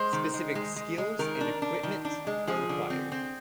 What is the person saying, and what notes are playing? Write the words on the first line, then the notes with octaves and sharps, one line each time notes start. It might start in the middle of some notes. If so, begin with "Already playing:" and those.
Specific skills and equipment are required.
Already playing: G#3 C5
D#3
G#3
G#3
G#3
G#3
D#3 A#4
D4
D4
D#3
D4
G#3
F3 G#4
D3
C4
C4